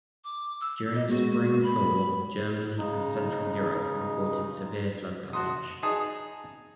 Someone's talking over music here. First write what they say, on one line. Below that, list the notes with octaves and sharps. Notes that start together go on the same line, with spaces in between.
During the spring thaw, Germany and Central Europe reported severe flood damage.
D6
E6
D#5
G#3 A#3 B3 F#4
B5
C#3 G#3 D#4
F#4 A5 C6 D#6
D#4 G#4 A5 D#6